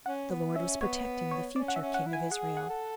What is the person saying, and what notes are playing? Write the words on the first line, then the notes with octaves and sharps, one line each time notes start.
The Lord was protecting the future king of Israel.
C#4 F#5
B3
C#4 E5
B3 C#5
C#5
C#4 D5
F#5
E5
C#4
F#5
E4
G#5
G#4 F#5
F#5
A4